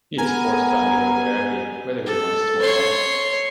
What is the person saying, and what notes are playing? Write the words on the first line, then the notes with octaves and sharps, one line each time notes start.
He is forced to undergo therapy whether he wants to or not.
B3 A#4 G#5
A4
C#5 C6